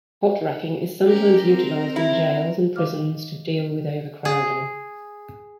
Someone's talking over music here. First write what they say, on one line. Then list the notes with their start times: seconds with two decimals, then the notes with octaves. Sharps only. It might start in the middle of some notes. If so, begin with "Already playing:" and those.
Hot racking is sometimes utilized in jails and prisons to deal with overcrowding.
1.07 C#4 G4 A#4
1.48 C4 A#4
1.96 E4
2.76 D#3 F5 D6 F6
4.25 G#4